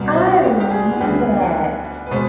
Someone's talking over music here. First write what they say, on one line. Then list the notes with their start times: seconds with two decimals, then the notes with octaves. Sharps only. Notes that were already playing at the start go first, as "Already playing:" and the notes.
I love that.
Already playing: C2 B2 G3
0.14 C5
0.43 G4
0.60 G4
0.71 G#4
0.98 D2 D3 G3 B3
2.06 B4
2.11 B2 G#3 B3 C5